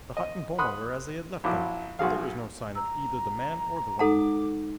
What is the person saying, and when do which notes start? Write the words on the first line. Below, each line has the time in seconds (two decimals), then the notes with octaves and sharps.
The hut and boma were as he had left them, but there was no sign of either the man or the woman.
0.17 D#5
0.58 F#5 B5 C6 D#6 F#6
1.44 A#1 F#3 E4 D6
1.99 B1 F#4 G#4 F5
2.75 A#5 E6
3.99 G#3 D#4 A4 F#5 A#5 D6